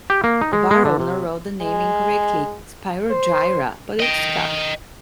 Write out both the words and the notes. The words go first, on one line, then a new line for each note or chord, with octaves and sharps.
The bar owner wrote the name incorrectly, "Spyro Gyra", but it stuck.
G4
A#3
D#4
G#3
G#3
D3
C3
G#3
C5
D#5 G5